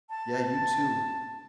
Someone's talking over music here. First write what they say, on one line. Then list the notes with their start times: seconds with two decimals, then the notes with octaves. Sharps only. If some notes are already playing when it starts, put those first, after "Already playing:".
Yeah, you too.
0.09 A5